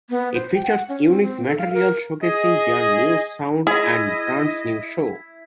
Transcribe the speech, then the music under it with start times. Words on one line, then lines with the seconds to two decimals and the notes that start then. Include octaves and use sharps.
It features unique material showcasing their new sound and brand new show.
0.10 B3
0.34 C5
0.54 G5
0.66 F#5
0.89 C#4
1.09 C4
1.22 C4
1.46 A4
1.58 F5
1.73 A#4
2.24 G#4 D#5
3.67 E4 G#4 D#5